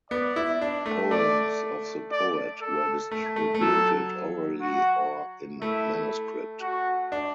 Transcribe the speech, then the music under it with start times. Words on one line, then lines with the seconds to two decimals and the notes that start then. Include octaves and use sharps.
Poems of the poet were distributed orally or in manuscript.
0.11 B3 D5
0.36 E4
0.61 D4
0.86 A3
1.11 A3 D5
2.11 D5
2.61 A4
3.11 A3
3.36 A3
3.54 A3
3.61 F#3 A4
4.61 F#4
5.61 A3 E4
6.61 F#4
7.12 D4